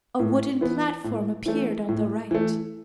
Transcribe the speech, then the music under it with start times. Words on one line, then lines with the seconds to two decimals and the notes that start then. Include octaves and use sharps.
A wooden platform appeared on the right.
0.19 A2
0.61 E3 B3
1.04 A2
1.46 E3 A3
1.89 A2
2.31 E3 A3